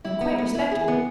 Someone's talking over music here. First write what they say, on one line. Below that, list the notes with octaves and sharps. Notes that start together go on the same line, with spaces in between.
"I am quite respectable."
E4
B3
B3
E4
G#4
B3